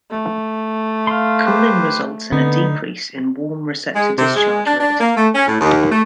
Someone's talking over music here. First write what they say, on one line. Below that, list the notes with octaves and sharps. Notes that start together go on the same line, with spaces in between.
Cooling results in a decrease in warm receptor discharge rate.
A3
F5 C6
G4 B4 C5
D3 B3 D#4
G#3
C3
G#3
D4
D4
A#3
A3
C#4
A2
D#2
A3